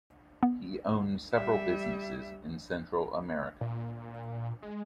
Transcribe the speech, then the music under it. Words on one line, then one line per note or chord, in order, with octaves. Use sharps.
He owned several businesses in Central America.
B3
G3 E5
A#2
G#3